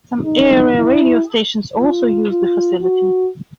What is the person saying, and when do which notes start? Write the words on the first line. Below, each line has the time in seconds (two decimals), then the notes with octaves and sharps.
Some area radio stations also use the facility.
0.24 D#4
0.76 E4
1.79 F4
2.30 F4
2.82 F#4